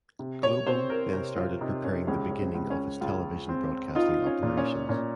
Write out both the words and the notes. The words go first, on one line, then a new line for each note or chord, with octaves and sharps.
"Globo" then started preparing the beginning of its television broadcasting operations.
C3
C#5
C4 C5
A#4
C3
F4
C3 D#4
C#4
C#2 C#4
C#4
C4
C#2
C#4
C#2 F4
C4
D#4 F4
C#4
A#2
C#4
A#2 C#4